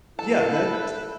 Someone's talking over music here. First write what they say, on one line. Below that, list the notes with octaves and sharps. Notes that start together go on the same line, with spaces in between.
Yeah, that's
E4 A4 A5
E5 B5 F#6